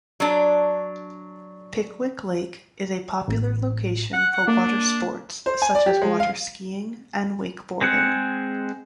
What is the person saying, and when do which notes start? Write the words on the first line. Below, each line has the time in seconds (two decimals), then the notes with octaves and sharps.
Pickwick Lake is a popular location for water sports such as waterskiing and wakeboarding.
0.20 F#3 D4
3.28 A1
4.13 F#5
4.33 F#5
4.48 A#3 D4
5.46 C5
5.62 G#5
5.75 D5
5.86 G4
6.02 G#3
6.20 F5
7.81 G#3 C4 G#4 F#5